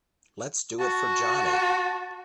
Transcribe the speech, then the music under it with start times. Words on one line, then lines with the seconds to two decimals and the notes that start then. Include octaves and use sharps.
Let's Do It for Johnny!!
0.79 F#4 A5